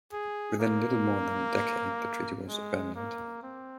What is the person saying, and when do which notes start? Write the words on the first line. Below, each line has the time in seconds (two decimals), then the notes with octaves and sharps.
Within little more than a decade, the treaty was abandoned.
0.12 G#4
0.60 A#3
2.48 G#3
2.95 A#3
3.43 C4